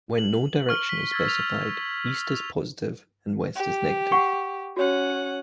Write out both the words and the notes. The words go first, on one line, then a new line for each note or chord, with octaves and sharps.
When no direction is specified, east is positive and west is negative.
F#7
C#6 F6 G7
B6
E6 G#6 A6 B6
B6 F7
F7
G4
F#5 C#6 C#7
C#4 F#4 C#5 F#5